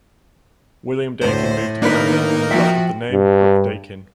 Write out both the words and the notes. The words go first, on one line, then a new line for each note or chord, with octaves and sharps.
William Daykin, moved to Canada, and adopted the name Brooke-Daykin.
D2 A2 C5
D#3 A#3 D4 D#4 A#4 B4
F3 F#4 E5 G5
G2